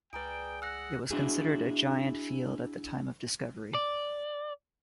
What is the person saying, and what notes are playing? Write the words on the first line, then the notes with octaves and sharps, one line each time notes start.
It was considered a "giant" field at the time of discovery.
C#2 G#4 B4 D5 G5 A#5 D7
F#5 E6 F#6 A#6
D4 E4 F#4 G#4
D5